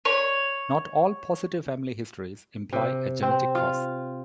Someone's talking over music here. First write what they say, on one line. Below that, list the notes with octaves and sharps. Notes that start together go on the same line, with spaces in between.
Not all positive family histories imply a genetic cause.
C#5
C3
C4
F4